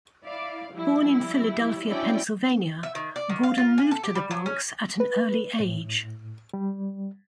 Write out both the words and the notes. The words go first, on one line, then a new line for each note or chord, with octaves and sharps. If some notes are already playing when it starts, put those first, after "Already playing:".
Born in Philadelphia, Pennsylvania, Gordon moved to the Bronx at an early age.
E4 D5 F5
F3 G3 E4
C#4 D4 E4 F#4 D5 G5
E5
D#3
D5
D#3
F5
F4
G#5
A4
G4
G3
F#3
C#4
B4
A2
G3